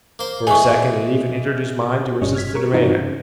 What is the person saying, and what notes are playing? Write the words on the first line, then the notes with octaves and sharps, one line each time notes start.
For a second it even entered his mind to resist the demand.
A#3 C5
E2 G#3 A3 G#5 C#6
G1 G2 G3 C#4 D#5 C#6
F6 G#6 B6
A#4 C#6
G2 C3 E3 D#4 F4 F#4
C#3